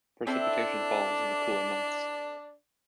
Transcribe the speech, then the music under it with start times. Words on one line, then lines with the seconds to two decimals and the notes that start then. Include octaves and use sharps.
Precipitation falls in the cooler months.
0.27 C4 D4 E4 A4 D5